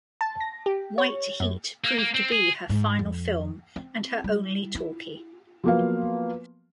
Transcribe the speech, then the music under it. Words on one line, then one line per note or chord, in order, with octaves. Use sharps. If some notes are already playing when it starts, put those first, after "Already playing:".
"White Heat" proved to be her final film, and her only talkie.
A5
A#6
G4
C#5
F#2
A#3
A#3
C4
G#4
G#2
F2
C4
G3
E4
F3 F#3 A#3 B3 F5